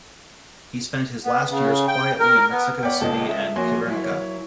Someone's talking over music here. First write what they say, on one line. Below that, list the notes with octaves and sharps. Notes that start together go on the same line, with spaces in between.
He spent his last years quietly in Mexico City and Cuernavaca.
B3
C#3
G5
A#4
B3
B3 C#5 D5 G5
C#2 A4 D#5
E5
F3 A#3 F#4 C#5 G#5 C6
F#3 E4
C#5